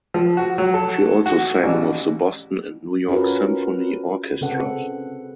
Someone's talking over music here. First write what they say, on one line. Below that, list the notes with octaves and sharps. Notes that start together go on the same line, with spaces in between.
She also sang with the Boston and New York Symphony Orchestras.
F3
F#4
F#3
A4
F#4
A1
C#4 F4 F#4 A#4 B4
C#3 C4 A4 B4 F#5